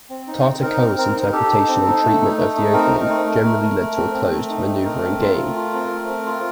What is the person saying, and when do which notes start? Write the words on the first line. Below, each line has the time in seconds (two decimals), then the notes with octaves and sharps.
Tartakower's interpretation and treatment of the opening generally led to a closed, manoeuvring game.
0.09 C4
0.28 D#4
0.45 C4
0.62 D#4 A#4
0.80 C4
0.98 C4 A#4
1.15 D#4
1.33 G4 A4
1.51 D#4
1.68 C4
1.85 D#4
2.03 A3
2.21 D#4
2.38 A3
2.56 D#4
2.73 C4 A#4
2.91 D#4
3.09 A3
3.26 A3
3.44 A3
3.62 A3
3.80 A3
3.96 C4
4.14 C4
4.32 A3
4.50 D#4
4.67 C4
4.85 A3 A#4
5.03 C4
5.21 F4
5.38 A3
5.56 F4
5.73 C4
5.91 A3
6.08 C4
6.26 F4